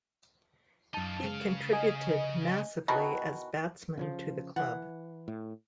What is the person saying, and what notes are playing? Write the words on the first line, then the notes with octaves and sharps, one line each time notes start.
He contributed massively as batsman to the club.
F#2 D#4 F4 A5
C#3 G#3 F5
D#5 G#5
B2 D#3 E3 F#4
C#3 E3 F3
E3 F#5
A2